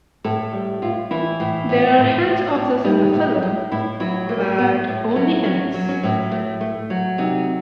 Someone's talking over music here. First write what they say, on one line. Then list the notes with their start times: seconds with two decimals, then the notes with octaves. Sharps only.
There are hints of this in the film, but only hints.
0.24 A2 A4
0.53 G3
0.82 A2 F4
1.11 E3 E4
1.40 A2
1.69 A2
1.98 A2
2.27 A2
2.55 A2
2.84 G3 D#4
3.13 A2
3.42 A2
3.71 A2 E4
4.00 F#3 E4
4.29 A3 A#3
4.58 A2 B3
4.88 A2
5.16 F#3 C#4
5.45 F#3 C#4
5.74 F#3
5.88 C#4
6.03 A2
6.32 A3
6.61 A3
6.90 F#3
7.18 C3 D#4